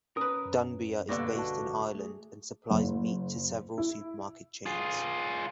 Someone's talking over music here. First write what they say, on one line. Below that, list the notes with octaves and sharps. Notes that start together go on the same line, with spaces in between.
Dunbia is based in Ireland and supplies meat to several supermarket chains.
C#4 A#4 B4 D#6
F#2
G2 B2 D3 A#3 B4 C#6 A#6
C2 F#4 A5
A3 G#4
F#1
E4
F4 G#4